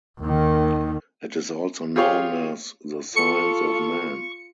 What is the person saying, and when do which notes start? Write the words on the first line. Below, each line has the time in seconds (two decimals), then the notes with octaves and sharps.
It is also known as "the science of men".
0.20 D#2 D#3
1.96 F4 G4 G#4 C#5 F5
3.16 F4 A4 C#6 C#7